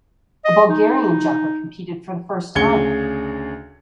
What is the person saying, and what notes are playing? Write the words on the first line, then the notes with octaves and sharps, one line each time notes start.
A Bulgarian jumper competed for the first time.
D#5
D#4
D2 C#3 G#4 G#6 C#7 G7